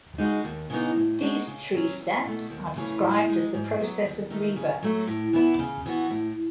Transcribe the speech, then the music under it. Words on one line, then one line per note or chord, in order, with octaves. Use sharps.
These three steps are described as the process of rebirth.
C#3 G#3 D#4 F#4
D#2
C#3 E3 B3 D#4
A2
G#3 D#4 F#4
C#3
F#3 C#4
E2
B2 A3
D#2
C#3 E3 A3 C#4
A2
G#3 D#4
G#2
F#3 B3
D#2
D#3 A3 D#4
C#3
F#3 A3
A2
E3 B3 E4
C#3
E3 B3 F#4
A2